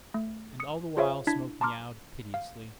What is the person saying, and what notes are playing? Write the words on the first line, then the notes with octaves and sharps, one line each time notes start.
And all the while Smoke meowed piteously.
A3
D#6 C#7
F4 G#4 C5 C#5 E5 F5
D4 E4 A5 G#6 B6
A5 A#5 C6 D6 F6
F5